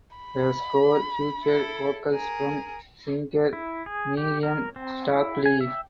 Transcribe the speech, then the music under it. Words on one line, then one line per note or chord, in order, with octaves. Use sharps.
The score featured vocals from singer Miriam Stockley.
B5
E4 A4
G#4 A#4
E4
G#4
G4
A#4
C4
E4
G#5
E5